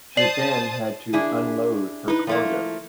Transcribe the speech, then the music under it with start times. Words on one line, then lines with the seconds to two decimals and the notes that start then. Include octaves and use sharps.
She then had to unload her cargo.
0.17 C5 D5 A5 D#6 C7 F#7
1.13 D4 E4 G#4
2.08 D#4 E4 B4
2.27 F3 A3 A#3